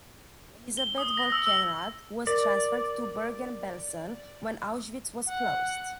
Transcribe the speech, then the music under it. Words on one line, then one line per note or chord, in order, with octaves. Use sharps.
Elisabeth Volkenrath was transferred to Bergen-Belsen when Auschwitz was closed.
G7
D#6
A#6
E6
E6
A#4 D5
F#5